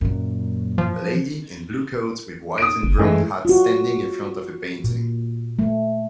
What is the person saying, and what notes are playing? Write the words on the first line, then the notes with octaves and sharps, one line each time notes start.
Lady in blue coat with white and brown hat standing in front of a painting.
F#2 A#2
F3
D#6 D7
F#1
F#2 E3 G#3 A3
F4 F#4
A#2
A3